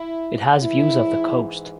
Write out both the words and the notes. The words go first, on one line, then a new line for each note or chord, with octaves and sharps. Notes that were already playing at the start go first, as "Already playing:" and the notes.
It has views of the coast.
Already playing: E4
G#2 E3 E4